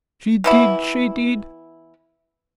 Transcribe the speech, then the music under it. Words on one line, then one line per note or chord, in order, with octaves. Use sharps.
She did--she did!
E3 B3 E4